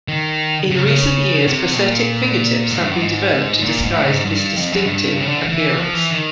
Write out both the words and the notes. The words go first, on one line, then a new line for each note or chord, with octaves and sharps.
In recent years, prosthetic fingertips have been developed to disguise this distinctive appearance.
D#3
C#3
C#3
C3
B2
A#2
G#2
G2
F#2
G#2
A#2
G#2
A2
G#2
G2
F2
F#2
G2
C3
C#3
D3
E3
E3
F3
E3
D#3